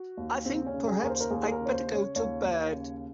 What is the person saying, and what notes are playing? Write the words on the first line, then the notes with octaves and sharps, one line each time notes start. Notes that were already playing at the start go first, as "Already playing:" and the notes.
I think perhaps I'd better go to bed.
Already playing: F#4
D#2
C#3 C4
C#4
C#3
G#4
D#2 A#4
C5
A#4
D#2 G#4
G#4
A#4
C#3
C#5
C5
C#3
C#5
D#2 C#5
D#2
C#3